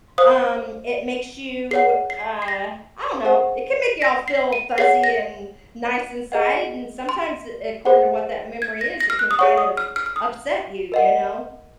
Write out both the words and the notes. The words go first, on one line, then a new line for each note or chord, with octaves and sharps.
um, it makes you, uh I don't know. It can make you all feel fuzzy and nice inside. And sometimes, eh, according to what that memory is, it can kind of upset you. You know?
C5 F5 D#6
G#4 C#5 F#5 C7
C7
C7
A#6
G#4 C5 F#5
A#6
C7
D#7
G#4 C#5 F#5 C7
A#6
G#4 D#5 F#5
C6
G#4 C5 F#5
G#6
A#6
A#6
F6
F#6
D#6
G#4 C#5 F#5 C#6
D#6
F6
F6
F6
D#6
A#4 D#5 F#5